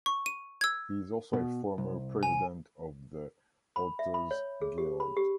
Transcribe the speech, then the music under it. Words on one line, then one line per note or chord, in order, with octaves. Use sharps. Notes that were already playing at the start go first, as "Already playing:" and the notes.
He is also a former president of the Authors Guild.
C#6
D#7
E6 G#6
B2
C2
G#5
B5
E5
B5
C#5
G#4
G4
B5
G4